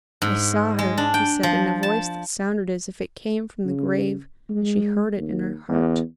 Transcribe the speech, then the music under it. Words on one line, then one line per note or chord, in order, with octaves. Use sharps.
"I saw her!" he said, in a voice that sounded as if it came from the grave, and she heard it in her heart.
G#2
G#3
D4
G5
F3
A5
C#3
G#3
D#2
E2